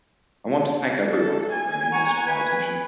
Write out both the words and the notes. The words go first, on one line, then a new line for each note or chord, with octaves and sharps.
I want to thank everyone for bringing this to my attention.
A4
G#5 G#6
F#5 A#5 C#6
B4